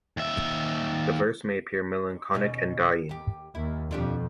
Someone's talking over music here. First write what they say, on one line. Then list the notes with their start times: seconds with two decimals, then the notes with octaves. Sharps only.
The verse may appear melancholic and "dying".
0.17 D#2 E5
2.34 D#2 B2 C#4
3.09 D#2 G4
3.55 D#2 E4
3.91 F2 B2 F3 D4 G4